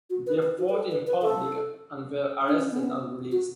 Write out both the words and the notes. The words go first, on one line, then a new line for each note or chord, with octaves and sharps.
They fought in public and were arrested and released.
F#4
B4
B4
F#4
B4
A4
B4
B4
A4
D4
C#4
B3
C#4
B3
F#4